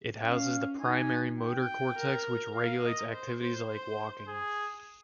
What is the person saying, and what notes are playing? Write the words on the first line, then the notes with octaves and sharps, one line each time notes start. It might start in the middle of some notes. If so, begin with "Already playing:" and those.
It houses the primary motor cortex which regulates activities like walking.
C#4 F5
D#4 G#5
G5
A#4
A#4 F5
D#5
C5
C5
C5
G#4